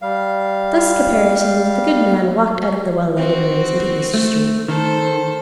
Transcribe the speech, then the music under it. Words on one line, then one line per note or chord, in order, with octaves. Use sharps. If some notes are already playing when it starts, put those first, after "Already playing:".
Thus caparisoned the good man walked out of the well-lighted rooms into East Street.
G3 F5
C4 F#4
A3
D#3 A4 C5